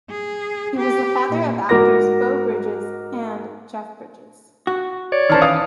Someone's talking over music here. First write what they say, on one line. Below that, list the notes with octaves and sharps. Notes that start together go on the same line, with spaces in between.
He was the father of actors Beau Bridges and Jeff Bridges.
G#4
G4
A#2
G#2 F#4 A#4 D6 A#6
F#4
C#5 D5
D#3 E3 C#4 C5 A5 F6
B4 F5 D#6